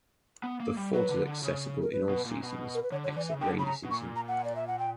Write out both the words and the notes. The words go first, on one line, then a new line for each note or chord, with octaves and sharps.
The fort is accessible in all seasons except rainy season.
B3
A#3
G3
F#3 B4
D3
D3
C#3
A#4
B4
B2
A#2
B2
A#4
B4
D3 C#5
C#5
D3
E3 D5
E5
C#3
D3 G5
C#3 B5
A#5
B2
A#2 C#6
A#5
F#5
D5
E5
F#5
G5